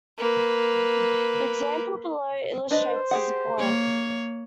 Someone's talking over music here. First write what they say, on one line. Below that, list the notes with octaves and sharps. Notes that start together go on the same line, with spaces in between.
The example below illustrates this point.
A#3 B4
D4 B4 C5 D#5
G4 G#4 F#5
A#3 C#5